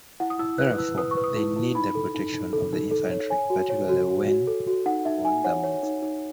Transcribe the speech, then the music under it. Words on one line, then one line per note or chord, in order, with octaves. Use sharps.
Therefore, they need the protection of the infantry, particularly when on the move.
E4 F#5
D#6
E4 E6
B4 F#6
E4 E6
B4 D#6
C#6
B4
D#6
E4
E4
D#4 B5
A4
D#4
D#4
A4
D#4
A4
C#5
C#5 G#5
F#4
C#5
F#4
F#4
F#4
A4
F#4
D#4 F#5
D#4 E5
D#4 G#5
C#5 F#5
C#5
D#4
D#4